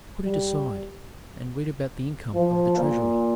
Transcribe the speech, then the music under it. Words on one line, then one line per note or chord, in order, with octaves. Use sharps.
"Put it aside, and read about the income of the treasury."
G3
F3
A#2